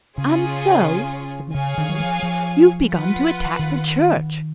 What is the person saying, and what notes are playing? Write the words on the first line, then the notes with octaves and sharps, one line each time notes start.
"And so," said Mrs. Low, "you've begun to attack the Church?"
C#3 C#4 F4 G#4 C#5
C#3 G#4 C#5 F5 G#5
D#3
F#3
F3
F3
F4 B4 F#5
D#3